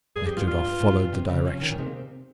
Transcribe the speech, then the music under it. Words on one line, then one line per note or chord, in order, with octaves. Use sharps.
Nekhludoff followed the direction.
G2 G#4
F2 G4
G2 F4
G2 F4
G2
G2
G#2
F2
G2
C3
C#3
F3 C#4
D#3
A#2 A#3
C3 G#3
A#3
C4